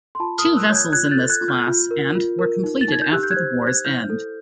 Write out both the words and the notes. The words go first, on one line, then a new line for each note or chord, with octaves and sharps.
Two vessels in this class- and -were completed after the war's end.
C6
F4 A5 B5
D#6 F6
A#4
E6 F#6
C#5 G6
F#6 G#6
F4 F#6 G#6
G6 A6
A4
F#6 G#6
F4
F6 G6
F4
A#4
F4
A#4
D#4
A6
D#4 G#6
G6
G4 E6 F#6
G6
F#6 G#6
C5
C5
F#6 G#6
E4 F6 G6
A4